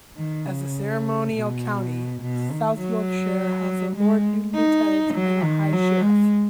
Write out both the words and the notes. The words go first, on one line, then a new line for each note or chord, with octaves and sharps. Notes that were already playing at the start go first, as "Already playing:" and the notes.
As a ceremonial county, South Yorkshire has a Lord Lieutenant and a High Sheriff.
D#3
C#3
B2
B2
D#3
F#3
G#3
D#4
F#3
D#3
F#3
G#3